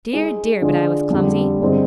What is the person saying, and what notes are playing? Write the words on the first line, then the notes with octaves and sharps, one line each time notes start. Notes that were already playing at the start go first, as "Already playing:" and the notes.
Dear, dear, but I was clumsy!
G#3 D#4 G#4
D3 G#3 D4 F4 G#4
F2 D3 G3
G2 D3 G#3 C4 D#4